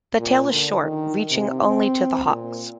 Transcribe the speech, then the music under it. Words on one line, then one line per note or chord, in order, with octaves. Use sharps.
The tail is short, reaching only to the hocks.
A#2
D3
D#3
C3
C4
A#2